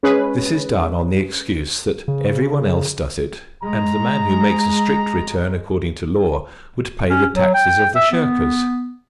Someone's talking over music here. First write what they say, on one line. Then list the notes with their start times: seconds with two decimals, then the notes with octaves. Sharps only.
This is done on the excuse that everyone else does it, and the man who makes a strict return according to law would pay the taxes of the shirkers.
0.03 G#3 C#4 G#4 B4
2.08 C#3
3.63 G#3 A#5
7.10 C#4
7.34 F#3
7.54 G5
7.95 E5
8.11 B3